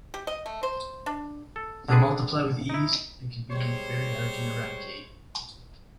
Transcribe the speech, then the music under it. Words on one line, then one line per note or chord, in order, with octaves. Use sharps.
They multiply with ease and can be very hard to eradicate.
G4
D#5
A3
C5
D4
A4
D3 G#3 C4 D4 G#4 B4
D#4 E4
G3 G#3 C5 C#5